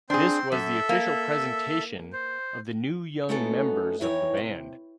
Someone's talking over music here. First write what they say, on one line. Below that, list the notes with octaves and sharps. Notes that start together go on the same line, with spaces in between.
This was the official presentation of the new young members of the band.
C4 D4 G#4 C5 C6
F#2 A4 E5
A#3
C5
A3 B3 C#4 D#4 F#4 A4
E2 E3 D#4 C#5 G5
C3